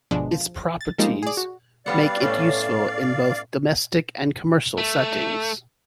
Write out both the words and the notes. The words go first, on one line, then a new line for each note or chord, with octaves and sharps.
Its properties make it useful in both domestic and commercial settings.
G1 B2 F3 G#3 D4
F3
A6
F3 G3 G#3 A#3 D#4
G#4 D5
F#4
G3 B3 D5 F5 F#5
A2 A3 C#4
A3